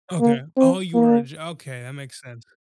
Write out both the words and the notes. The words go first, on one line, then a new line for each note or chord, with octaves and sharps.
Okay. Oh, you were a jour okay, that makes sense.
A#3
C4
A#3